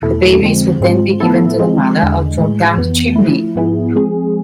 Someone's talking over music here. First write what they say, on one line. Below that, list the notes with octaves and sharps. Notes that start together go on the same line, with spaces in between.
The babies would then be given to the mother or dropped down the chimney.
E2 B2 A3 E4 A4
F2 D3 F3 G#3 C4
G#2 G#3 C4 F4
A2 F3 B3 E4 A4
F3 G#3 C4
E2 D3 G#3
A2 E3 G#3
F2 E3 B3
F3 A3 E4
G#2 F3 B3 E4 G#4
F3 G#3 C4 G#4